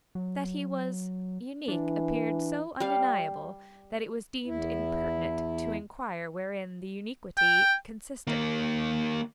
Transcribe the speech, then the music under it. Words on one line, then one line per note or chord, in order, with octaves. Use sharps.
That he was unique appeared so undeniable, that it was deemed impertinent to inquire wherein the uniquity consisted.
F#3
E3 D4
G3 F5
E2 E4
G5
D#3 A#3